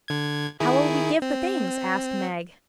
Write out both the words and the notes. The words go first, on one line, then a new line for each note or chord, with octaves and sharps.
"How will we give the things?" asked Meg.
D3 G#6
D#3 E4 G#4
C4